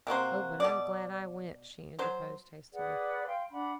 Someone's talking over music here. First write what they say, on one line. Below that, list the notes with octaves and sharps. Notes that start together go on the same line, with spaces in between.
"Oh, but I'm glad I went," she interposed hastily.
C3 A#3 F#4 C5
B2 D5
F#3 C5
G#4 B4 D5 F#5
F5 G5 C6
D4 F#5 B5